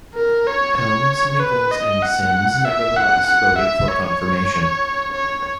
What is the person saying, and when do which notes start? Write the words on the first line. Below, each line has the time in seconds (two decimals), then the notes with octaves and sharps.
Helms, Nickles, and Symms nevertheless voted for confirmation.
0.15 A#4
0.47 C#5
0.78 C#5
1.40 B4
1.71 D#5
2.02 F#5
2.64 E5
2.96 F#5
3.27 F#5
3.59 E5
3.89 C#5
5.14 C#5